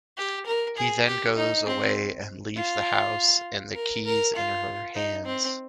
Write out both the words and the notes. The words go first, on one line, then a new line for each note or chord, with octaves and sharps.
He then goes away and leaves the house and the keys in her hands.
G4
A#4
G#4
G4
D#4
C4
F4
A#4
A#4
F4
D#4
C4